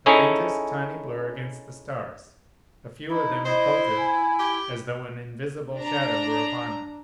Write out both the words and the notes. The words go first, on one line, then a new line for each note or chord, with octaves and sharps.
A faintest, tiny blur against the stars, a few of them occulted as though an invisible shadow were upon them.
C#4 D#4 E4 G#4 A4 C#5
D#4 E4
E4 C5 D#5
G#5
G4
D4 A#5